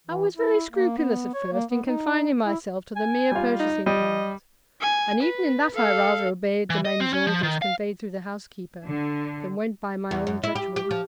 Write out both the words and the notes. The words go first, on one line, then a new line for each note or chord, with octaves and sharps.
'I was very scrupulous, at first, in confining myself to the mere purchasing part, and even in that I rather obeyed the men's orders conveyed through the housekeeper, than went by my own judgment.
E3
E4
A#3
B3
C#5
A#3
B3
D#4
E4
G#5
G3 F4
D#4
G3 D#5
G#5
B4
A4 F5
E3
D#5
C4
C#4
F3
D#3
F5
D3
E2
F#2
E4
G4
G4
F3